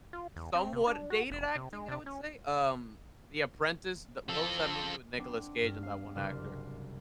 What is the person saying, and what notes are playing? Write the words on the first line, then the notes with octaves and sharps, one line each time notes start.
somewhat dated acting I would say, um, The Apprentice the what was that movie with Nicolas Cage and that one actor?
F4
E2
C4
C3
D4
F#4
F1
C3
G#3
C3
C#4
F3 A4
B3 C4 D4 D5
G2 F6
F5
F#1 C2 D5 C6 F6